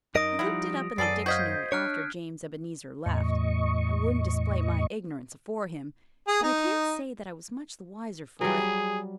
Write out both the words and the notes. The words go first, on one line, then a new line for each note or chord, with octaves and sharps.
I looked it up in the dictionary after James Ebenezer left--I wouldn't display my ignorance afore him--but I can't say that I was much the wiser for it.
F#2 D#4 A#4 D#5 D#6 A#6 D7
F3 G3 E4 E5 F#5
F#2 B3 G#4 A4 D5 C7 D#7
F#4 C5 D#5 F5 G6 G#6 B6
D4 C#5 F6 F#6 D7
E2 A2 D#5 C#6
G#4
D#4
F#3 G3 G#4